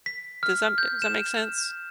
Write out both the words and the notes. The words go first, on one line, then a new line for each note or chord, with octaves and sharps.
Does that does that make sense?
B6
F6
G6
E7